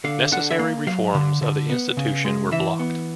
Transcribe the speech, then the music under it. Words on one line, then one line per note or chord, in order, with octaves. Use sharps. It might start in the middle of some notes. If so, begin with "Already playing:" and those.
Necessary reforms of the institution were blocked.
D3 F5
D3 F#5
E5
A#3 F5
F#3 F5
D3
D3
B3
C#3
G#3
E3 E5
B3